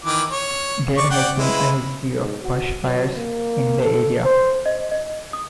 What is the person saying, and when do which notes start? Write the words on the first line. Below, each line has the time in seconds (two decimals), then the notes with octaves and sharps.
There has been a history of bushfires in the area.
0.05 D#3 E3 D6
0.30 C#5
0.97 D5 C#6
1.10 D5 F#5 G5
1.37 G#3 E4 B4
2.14 G#2
2.43 F#4
2.82 F#3
3.16 A#3
3.83 A4
4.25 C5
4.66 D#5
4.91 D#5
5.33 D#6